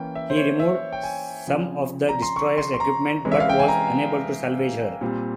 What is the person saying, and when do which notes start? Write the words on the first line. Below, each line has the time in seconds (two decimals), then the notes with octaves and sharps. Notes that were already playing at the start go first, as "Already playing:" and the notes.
He removed some of the destroyer's equipment but was unable to salvage her.
Already playing: E3 A#3 C#4 G5
0.15 E5
0.30 C5
0.37 C#5
0.60 E5
0.93 G5
1.03 G#5
1.47 C#3 F3 C4
2.09 A#5
2.22 C6
2.36 C#6
2.58 C6
2.74 C6
2.80 A#5
3.24 C3 E3 G#3 C#4
3.32 E5
3.40 F5
3.49 G5
3.60 G#5
3.68 A#5
5.01 A#2 G3 C4